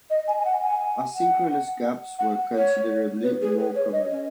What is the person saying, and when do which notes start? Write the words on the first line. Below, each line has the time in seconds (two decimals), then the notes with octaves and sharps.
Asynchronous gaps were considerably more common.
0.10 D#5
0.28 G#5
0.39 G#5
0.45 F#5
0.62 G#5
1.15 F#5
2.19 F#5
2.54 C#5
3.23 B4
3.41 G#4
3.58 B4
3.75 C#5
3.93 D#5
4.10 C#4